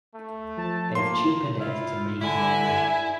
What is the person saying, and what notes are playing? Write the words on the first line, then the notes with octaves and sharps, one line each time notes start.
They've cheapened it to make more money.
A3
F3 A5
A#3 C6
E4 F4
D3 E4 G#5